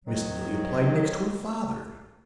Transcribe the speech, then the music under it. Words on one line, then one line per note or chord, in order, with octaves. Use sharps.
Miss Neelie applied next to her father.
G#2 D#3 F#3